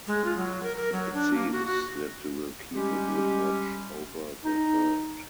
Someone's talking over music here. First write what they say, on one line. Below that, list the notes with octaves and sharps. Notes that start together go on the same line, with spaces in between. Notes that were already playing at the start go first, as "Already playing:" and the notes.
It seems that you will keep a good watch over the herd.
G#3
F4
F#3
A#4
A#4
F#3
D4
A#3
F#4
F#4
G3 G#3 C#4 G4
D#4